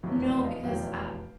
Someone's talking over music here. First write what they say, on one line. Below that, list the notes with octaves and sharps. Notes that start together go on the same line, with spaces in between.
No, because I
F1 E2 B2 F#3 C#5
C5 D5
D#5 F5
F1 E2 B2 F#3 F5 G5